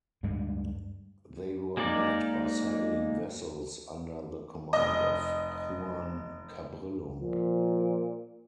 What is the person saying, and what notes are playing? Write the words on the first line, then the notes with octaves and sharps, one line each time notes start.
They were met by sailing vessels under the command of Juan Cabrillo.
D2 G2 G#3
G#3 A#3 D#4 D5
F1 D#5
A#2 F3